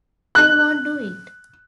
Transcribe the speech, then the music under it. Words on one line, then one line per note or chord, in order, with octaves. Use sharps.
I won't do it!
F#6